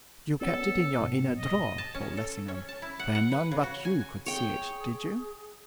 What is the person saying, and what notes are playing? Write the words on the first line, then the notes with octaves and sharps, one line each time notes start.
'You kept it in your inner drawer, Paul Lessingham, where none but you could see it,--did you?
B3 C#4 A4
G#2 B2
D#5
A5
C#4
A4
C#4
A5
E4
F#5
F#5
B4
C#3
F#4
G#5
G#4 C#5 G5